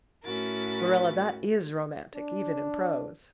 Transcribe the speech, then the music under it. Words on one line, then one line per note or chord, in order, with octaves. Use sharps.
Marilla, that IS romantic, even in prose.
A2 C#4 E4 F#4 A#4 A6
D4